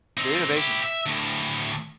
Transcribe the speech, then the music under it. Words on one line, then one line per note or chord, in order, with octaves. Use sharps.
The innovation's
C4 D#4
E4 G4
E5
D2 A2